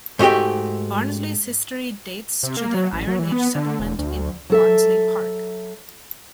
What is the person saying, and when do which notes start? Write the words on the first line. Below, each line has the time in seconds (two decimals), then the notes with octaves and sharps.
Barnsley's history dates to the Iron Age settlement in Barnsley Park.
0.19 G#2 A3 F#4 G4 G5
2.43 C3
2.57 A#3
2.74 F#3
2.93 A1
3.08 F#3
3.19 E3
3.32 B3
3.55 D3
3.80 E1
3.99 D2
4.17 D2
4.50 F#3 A4 E5